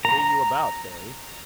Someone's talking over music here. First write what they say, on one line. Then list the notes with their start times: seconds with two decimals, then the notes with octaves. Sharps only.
"What are you about, Harry?"
0.05 A#5